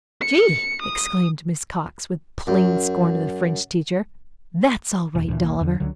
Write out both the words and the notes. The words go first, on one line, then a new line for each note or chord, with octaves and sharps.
She!" exclaimed Miss Cox, with plain scorn of the French teacher. "That's all right, Dolliver.
C#7
D#6
F#2
E1
D2 A#2 E3
D#1 B1 A#3
E2 D3
C#2 D3 F#3